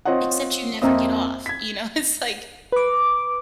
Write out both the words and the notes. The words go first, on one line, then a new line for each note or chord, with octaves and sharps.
Except you never get off, you know, it's like,
C4 F4 C#5 D#5 F#5
F2 A#3 C4 D#5 E5 D#6
G#6 B6
B4 D6